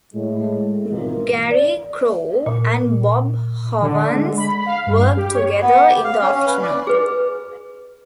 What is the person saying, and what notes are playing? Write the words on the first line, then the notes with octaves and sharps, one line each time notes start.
Gary Crow and Bob Hovanes worked together in the afternoon.
A2 G#3 A3
G#1 B2 D#3 E3 F4 A#4
D5
A#2
D3
G#3
B5
F5
G2
G4
C#5
B3
G4
F5
C#4
C#4
B4
D5
G#4 B4